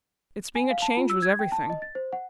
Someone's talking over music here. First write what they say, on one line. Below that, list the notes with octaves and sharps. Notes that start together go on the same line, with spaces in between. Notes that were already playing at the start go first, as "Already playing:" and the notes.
Its being a change was everything.
G#5
F5
A5
F4
E6
G#6
G5
A5
D#5
A6
C5
F#5